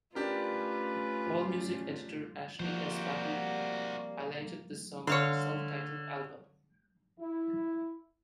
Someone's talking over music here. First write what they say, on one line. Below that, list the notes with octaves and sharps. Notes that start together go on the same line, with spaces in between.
Allmusic editor Ashely S. Battel highlighted this song on self-titled album.
A3 C#4 D4 F4 G4 A#4 B4
C3 F3 G3 A#3 F#4 C5 D5
D3 C#5 F5 C6
E4